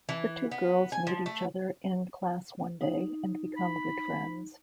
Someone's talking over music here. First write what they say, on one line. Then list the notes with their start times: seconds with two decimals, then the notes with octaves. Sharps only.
The two girls meet each other in class one day and become good friends.
0.09 E3
0.51 B3
0.92 G#5
1.07 F3
1.26 A3
2.82 D#4
3.57 B5